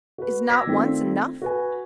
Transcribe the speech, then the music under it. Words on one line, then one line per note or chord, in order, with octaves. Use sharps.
Is not once enough?
F#4 B4
D6 E6 G#6 A#6 B6
D#3 A3 C4 D4 F4
F#4 B4 G#5